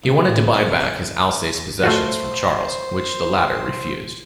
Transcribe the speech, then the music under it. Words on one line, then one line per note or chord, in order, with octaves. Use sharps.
He wanted to buy back his Alsace possessions from Charles, which the latter refused.
D2
A2
C2
C#4
C3
E4
A3 F4 F#4 C5